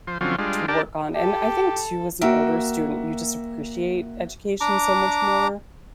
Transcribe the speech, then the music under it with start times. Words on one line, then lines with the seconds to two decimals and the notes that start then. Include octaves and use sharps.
to work on, and I think too as an older student, you just appreciate education so much more.
0.07 F3 C5
0.21 D3 F3 F#3 C4 C#4 F4
0.39 G3 G#3 D4 F4
0.68 D4 G4 A#4 D5 A5
1.15 G4 A4
2.21 A#3 F#4 E5 G5
4.61 D4 A#5 D6